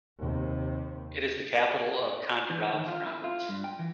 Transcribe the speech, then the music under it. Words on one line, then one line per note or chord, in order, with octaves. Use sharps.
It is the capital of Candarave Province.
D#2 C3
E3
D#3
F4
E4
F4
G2
G5
E3